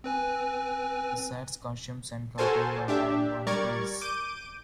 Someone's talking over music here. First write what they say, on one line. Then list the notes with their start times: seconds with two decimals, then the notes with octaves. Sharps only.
The sets, costumes, and curtain were by Juan Gris.
0.04 C4 B4 G#5
2.38 F#4 A4 A#4 C5 G#5 A5
2.88 D4 G4 E5
3.47 G3 A#4 D5 C#6 G#6 A6
4.02 D6 G6 D7 D#7